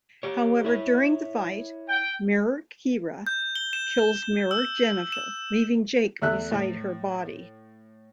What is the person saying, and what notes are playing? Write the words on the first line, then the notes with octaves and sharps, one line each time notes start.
However, during the fight, mirror Kira kills mirror Jennifer, leaving Jake beside her body.
G4 C#5
E4 C#5
G5
G6
G7
E7
E6
E7
E2 A3 E5 F#6
A2